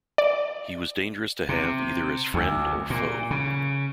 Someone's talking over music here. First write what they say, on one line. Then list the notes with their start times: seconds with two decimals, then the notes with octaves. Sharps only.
He was dangerous to have either as friend or foe.
0.18 D5
1.49 C3
2.34 D2
2.90 A#2
3.31 C#3